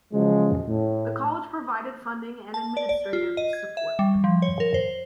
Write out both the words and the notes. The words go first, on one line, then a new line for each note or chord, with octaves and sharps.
The college provided funding and administrative support.
C#3 F3 F#3 G#3
A2
A5
D5
D5
F4
D#5
G#6
E5
G3
F3
C#5
A#4
C5